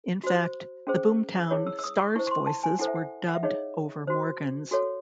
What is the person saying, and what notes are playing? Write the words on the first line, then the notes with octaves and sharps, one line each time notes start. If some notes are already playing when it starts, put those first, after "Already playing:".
In fact, the "Boom Town" stars' voices were dubbed over Morgan's.
F#4 C5
C#4 G#4 C5
E4 G#4 C#5
E6
E6
D#6
C#6
E4 C5 C#6
C#6
C6
A5
G#5
E4 A4 C5 F#5
E5
F#5
F#5
E5
D#4 G#4 C#5 D#5
F#4 C5
F#4 A4 C#5